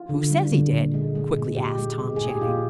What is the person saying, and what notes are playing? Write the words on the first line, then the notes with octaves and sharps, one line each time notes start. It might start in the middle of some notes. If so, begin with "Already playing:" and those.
"Who says he did?" quickly asked Tom Channing.
Already playing: F4
D3
G3
D3
A#2
G#3
G#3
A#2
A#2 G4
G#3
G#3
A#2 G#4
G4
A#2 F4